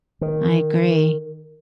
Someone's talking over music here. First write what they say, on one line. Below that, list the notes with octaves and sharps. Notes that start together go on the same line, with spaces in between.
I agree.
D#3